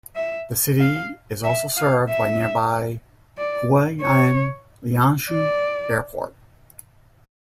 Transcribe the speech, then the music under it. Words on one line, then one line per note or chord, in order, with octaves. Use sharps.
The city is also served by nearby Huai'an Lianshui Airport.
E5
F5
E5
F5
E5
D5
C#5
D5